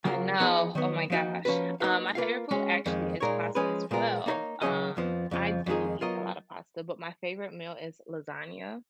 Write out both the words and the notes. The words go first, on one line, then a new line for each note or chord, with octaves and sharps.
I know, oh my gosh. Um, my favorite food actually is pasta, as well. Um, I do eat a lot of pasta, but my favorite meal is lasagna.
C#3 F#3 A#3 F4 A#4
F3 B3 D#4 G#4 B4
D#3 F#3 B3
F3 A#3 D#4 F#4
F3 A#3 C#4 F#4 B4
A#3 D#4 F#4 B4 F5
A#3 F4 B4 F5
G#3 C#4 F#4
F2 D#3 G#3
A#2 G#3 D#4 A#4 C#5
F3 G#3 C#4 G#4 B4
A#2 G#3 B3 F4 A#4
A#3 D#4 A#4 C#5 F5
C#3 F#3 C#4 G#4 D#5
F2 F3 B3
F2 C#3 F3
F2 D#3 G#3 D#4 G#4
F#3 B3 F4 A#4 D#5